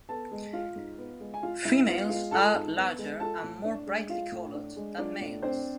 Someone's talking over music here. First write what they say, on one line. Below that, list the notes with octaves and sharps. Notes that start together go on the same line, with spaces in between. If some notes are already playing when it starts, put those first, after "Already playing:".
Females are larger and more brightly coloured than males.
B3 A4 A5
G#3
F4 F5
G#2
B3
G#3
G#5
F4 F5
G#2 E4 E5
B3 F4 F5
G#3 F4 F5
F4 A4 A5
G#2
B3
G#3
F4 A4 A5
A2
D4
G#3
F4 F5
A2
D4
G#3
D4 F4 D5
A2
C4 D4 C5